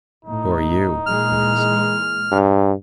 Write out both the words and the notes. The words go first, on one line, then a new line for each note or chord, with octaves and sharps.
"Who are you?" he asked.
A2 D#4
A#2 E3 G#3 F6
G2